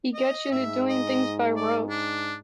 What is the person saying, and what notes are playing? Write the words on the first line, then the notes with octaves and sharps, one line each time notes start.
He gets you into doing things by rote.
D#5
G#2 E5
D#5
D5
D4